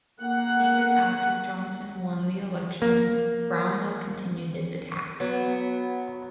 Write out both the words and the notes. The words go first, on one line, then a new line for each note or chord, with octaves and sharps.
Even after Johnson won the election, Brownlow continued his attacks.
A#3 F#5
A#3
F#3 B3